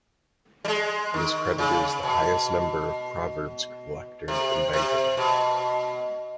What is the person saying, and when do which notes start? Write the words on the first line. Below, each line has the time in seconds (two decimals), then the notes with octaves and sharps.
He is credited as the highest number of proverbs collector in Bangladesh.
0.65 G3
0.68 G#3
1.14 D#3
1.58 C#3
2.03 B2
4.28 C3
4.73 C3
5.17 B2